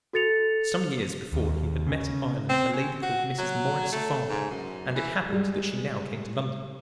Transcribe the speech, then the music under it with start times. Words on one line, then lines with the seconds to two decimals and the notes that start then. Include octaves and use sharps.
Some years before he had met in Ireland a lady called Mrs. Maurice Farmer; and it happened that she now came to London.
0.13 F#4 A4 A6 C#7 F7
1.33 D#2
1.87 C#3
2.49 C4
2.73 C#4
3.02 F#4
3.38 F#3
3.92 A3
4.29 G#2
4.50 F#2
4.95 E3
5.28 G3 G#3